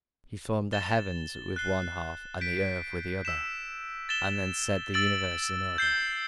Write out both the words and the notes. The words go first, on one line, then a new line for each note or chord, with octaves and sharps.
He formed the heavens with one half and the earth with the other, and then set the universe in order.
A6 E7 G7
F#6 C7 G7
G6 B6 D7
E6 B6 E7
A6 E7 G7
E6 A6 D7 F#7
G6 C7 G7